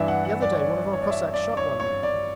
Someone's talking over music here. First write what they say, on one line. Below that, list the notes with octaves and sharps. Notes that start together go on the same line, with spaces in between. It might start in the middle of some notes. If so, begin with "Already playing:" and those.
The other day one of our Cossacks shot one there.
Already playing: G2 E3 D5 E5
F#5
F#5
D5
C#5
D5
C#5
D5
E5
D5
C#5
C#5
D5